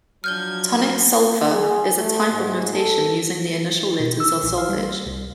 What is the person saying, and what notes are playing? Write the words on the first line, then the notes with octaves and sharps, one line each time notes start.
Tonic sol-fa is a type of notation using the initial letters of solfege.
F3 F#3 D4 F6 G6 G#6 G7
G#4
A3
G#2
A4
B2
E6
A#1
F5
G3
C2